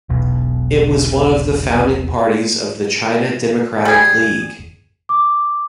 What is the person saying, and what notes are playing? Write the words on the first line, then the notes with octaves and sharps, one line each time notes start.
It was one of the founding parties of the China Democratic League.
E1 B1 B2
G3 G#4
D6